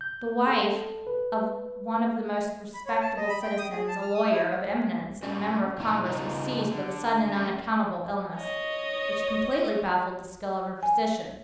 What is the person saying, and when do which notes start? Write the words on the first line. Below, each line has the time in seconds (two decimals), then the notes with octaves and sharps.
The wife of one of the most respectable citizens--a lawyer of eminence and a member of Congress--was seized with a sudden and unaccountable illness, which completely baffled the skill of her physicians.
0.01 G6
0.47 A4
1.07 B4
2.74 B5
2.86 C#5
3.01 A5
3.17 D#5
3.29 B5
3.42 G5
3.58 D#6
3.71 G#4
3.88 A5
4.01 F6
4.14 D#6
4.31 E4
5.23 G3 A3 C#4 F#4
5.78 F2 B2 D#4 E4 A#5
6.05 C#3 G3 B3 D#4 F4
6.72 D3
7.33 A3 C#4 G4
8.38 C#5 D#5
10.83 G#5